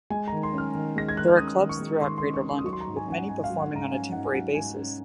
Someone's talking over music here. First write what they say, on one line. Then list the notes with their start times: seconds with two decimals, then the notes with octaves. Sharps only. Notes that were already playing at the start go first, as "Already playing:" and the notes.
There are clubs throughout Greater London, with many performing on a temporary basis.
0.10 G#3 G#5
0.28 D#3 A#5
0.43 C6
0.53 C#4 F6
0.75 D#3
0.96 G#3 A#6
1.09 G#6
1.17 D#3 F#6
1.28 F6
1.37 C#4 D#6
1.59 D#3
1.69 C#6
1.80 G#3
2.01 D#3 C6
2.18 C6
2.23 C#4
2.34 C#6
2.44 D#3 C6
2.59 D#6
2.64 F#3 C#6
2.73 C6
2.81 A#5
2.86 G#2
2.96 G#5
3.06 C#4 G#5
3.12 F#5
3.29 G#2 G#5
3.44 F5
3.50 F#3
3.60 F#5
3.71 G#2 A#5
3.91 C#4 G#5
4.12 G#2 F#5
4.24 G#5
4.33 F#3 F#5
4.54 G#2 G#5
4.77 C#4